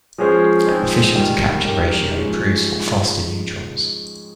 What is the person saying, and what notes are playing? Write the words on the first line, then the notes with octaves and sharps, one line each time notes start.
The fission-to-capture ratio improves for faster neutrons.
F3 G#3 C#4 G#4 C5
F3 G#3 C4 D#4
D#2 D#3 G3
G#2 G3 C#4 G4 A#4
G#2 F3 G#3 C#4 G#4